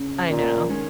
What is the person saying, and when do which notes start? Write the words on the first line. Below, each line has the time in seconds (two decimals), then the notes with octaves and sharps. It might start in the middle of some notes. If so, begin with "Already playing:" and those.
I know.
Already playing: C#3 C#4
0.30 A#2
0.69 D#3 G#3 C#4